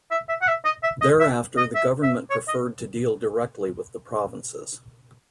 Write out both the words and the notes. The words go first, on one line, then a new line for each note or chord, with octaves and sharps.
Thereafter the government preferred to deal directly with the provinces.
E5
E5
F#5
E5
D#5
E5
D#5
E5
D#5
E5
E5
C#5
D#5